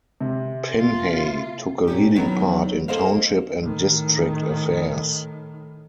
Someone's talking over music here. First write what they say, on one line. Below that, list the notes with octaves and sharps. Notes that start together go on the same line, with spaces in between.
Pinhey took a leading part in township and district affairs.
C3
A#3 F4
A#2 C#4 G4
D#3 F#3 B3 D#4 E4
A#3 A4 A#4 C5 D#5 F5
A2 D#3